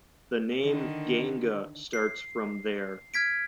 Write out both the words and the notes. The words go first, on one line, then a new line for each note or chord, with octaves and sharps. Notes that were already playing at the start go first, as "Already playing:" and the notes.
The name Ganga starts from their.
D3 D#3
C7
F6 G#6 B6 D7